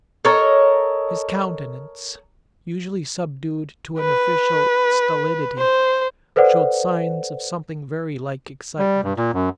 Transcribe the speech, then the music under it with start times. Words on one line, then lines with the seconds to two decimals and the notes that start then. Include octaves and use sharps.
His countenance, usually subdued to an official stolidity, showed signs of something very like excitement.
0.25 A4 A#4 C#5 D#5
4.00 B4
5.59 C5
6.36 A4 B4 C5 D5 F#5
8.79 G3
9.03 G2
9.17 A#2
9.33 F#2